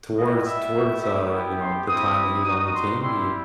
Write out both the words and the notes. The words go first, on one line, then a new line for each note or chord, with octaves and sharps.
towards towards, uh, you know, the time that he was on the team, he,
G3 B3 E4 D#5
E5
A3 E4 G4
E5
B3 E4 G4
C6
C4 E4 G4 D#6
G3 D#4 F#4 D#6
C6
G3 C4 E4 G4 C6